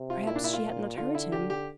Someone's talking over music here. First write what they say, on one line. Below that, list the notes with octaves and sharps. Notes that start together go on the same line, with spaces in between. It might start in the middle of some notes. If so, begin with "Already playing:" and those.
Perhaps she had not heard him.
Already playing: C3
F4
A#2 E4
D4
E4
F4
A#2
D3 F4
E4
G4
G4